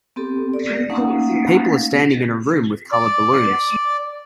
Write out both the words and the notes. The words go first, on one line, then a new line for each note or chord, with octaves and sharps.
People are standing in a room with colored balloons.
B3 C4 G4 A4
D5
A3 A#3 C#4 D#4 F5 F#5
D5